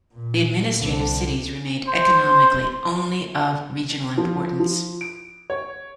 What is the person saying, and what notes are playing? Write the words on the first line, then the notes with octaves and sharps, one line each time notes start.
The administrative cities remained economically only of regional importance.
A#2
C2 D3
C5 C6
F3
F3
D7
C#5